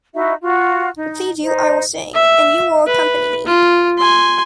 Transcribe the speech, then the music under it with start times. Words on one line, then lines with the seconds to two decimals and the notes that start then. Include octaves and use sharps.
To please you, I will sing, and you will accompany me.
0.15 D#4 E4 F#4 E5
0.42 F4 F#4
0.96 D#4
1.43 D#4 C5
2.14 E5
2.87 B4
3.46 F4
3.98 G#5 C6